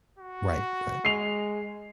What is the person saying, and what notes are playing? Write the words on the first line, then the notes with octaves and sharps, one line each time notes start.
Right, right.
F#4
G#3 C7 F7